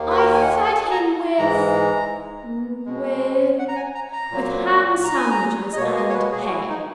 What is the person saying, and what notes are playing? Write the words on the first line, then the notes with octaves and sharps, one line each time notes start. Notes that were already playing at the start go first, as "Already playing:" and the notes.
I fed him with--with--with Ham-sandwiches and Hay.
Already playing: D#2 D#3 A#3
B4
A#4
G#5
F#5
G#5
A#5
G#2 E3 G#3 A#5
B2 G#3
F#5
A#5
G#5
A#5
A#5
A#2 F#3 A#3
A#5
G#5
A#5
D#5
B2 A#3 C#5
D#5
C#5
B4
G#4
F#4
E4
D#4